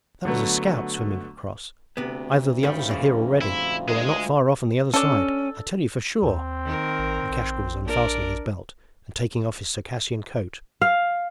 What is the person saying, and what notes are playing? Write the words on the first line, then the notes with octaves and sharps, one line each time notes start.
'That was a scout swimming across: either the others are here already or are not far off on the other side--I tell you for sure!' Lukashka was unfastening his belt and taking off his Circassian coat.
D3 F#3 A3 B3
D2 C3 B3
G2 D#3 G3 C#4 E4 F5
F2 A#2 C#3 D4
E4 F4 E5 B5
G#3 G#4 F5
C#4 D4 A4
D#2 C4
D#3 A#4
A1
A#1
D4 A#4 D5
F5